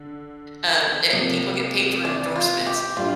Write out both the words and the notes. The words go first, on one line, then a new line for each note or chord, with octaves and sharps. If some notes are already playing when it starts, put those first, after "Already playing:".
um, that people get paper endorsements.
Already playing: D3
C3 F3 A#3
D4
F4
G4
A2 G3 D4 F4